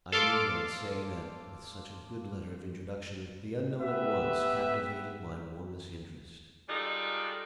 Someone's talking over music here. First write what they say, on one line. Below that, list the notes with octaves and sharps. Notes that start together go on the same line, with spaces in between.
I need not say that, with such a good letter of introduction, the unknown at once captivated my warmest interest.
A4 F5 C6 D6
B3 G4 B4 E5
G3 G#3 D4 D#4 F4 A4